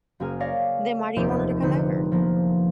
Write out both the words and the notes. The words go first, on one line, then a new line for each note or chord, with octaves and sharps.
Then why do you want her to come over?
F#1 F#2 A#3 G#4 G#5 F6
C#5 D5 F5 A#6
F1 D#2 D#3 C5 D6 D7
D3 D#4 B4 C5 C#7
F3 A#3 B3